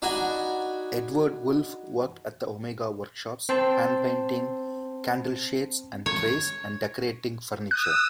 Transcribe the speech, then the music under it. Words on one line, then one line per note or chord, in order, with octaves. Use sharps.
Edward Wolfe worked at the Omega Workshops, hand-painting candle-shades and trays, and decorating furniture.
D4 D#4 F#4 D#5 G#5 B5
C4 C5 A5 C6
C#5
D#6 E6 F#6